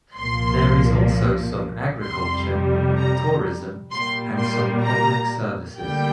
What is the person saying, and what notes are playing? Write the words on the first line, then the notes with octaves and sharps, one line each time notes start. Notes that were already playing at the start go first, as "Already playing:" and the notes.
There is also some agriculture, tourism, and some public services.
C2 A#2 F3 A#3 C6
F2 C3 G3 C6
A#5
A#2 G3 A#3 C6
C6
A#5
D2 D3 G3 A#3 G5